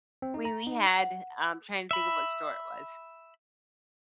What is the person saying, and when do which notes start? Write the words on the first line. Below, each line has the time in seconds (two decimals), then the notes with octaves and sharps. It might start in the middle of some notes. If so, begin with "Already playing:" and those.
we we had I'm trying to think of what store it was.
0.22 C4
0.34 D#4
0.45 A#5
0.67 D#4
0.99 F#5
1.91 E5 B5